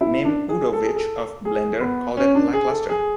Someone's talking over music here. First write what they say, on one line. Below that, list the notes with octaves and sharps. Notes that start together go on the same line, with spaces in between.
Mim Udovitch of "Blender" called it "lackluster".
E4
D4
G#4
A4
G#4
A4
G#4
B3
C#4
D4
G#4
A4
G#4